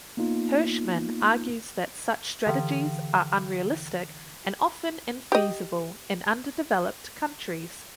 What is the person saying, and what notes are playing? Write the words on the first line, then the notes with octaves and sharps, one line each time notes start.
Hirschman argues that such strategies are unrealistic and often infeasible in underdeveloped countries.
A#3 B3 D#4 F4
D3 E3
G4 D#5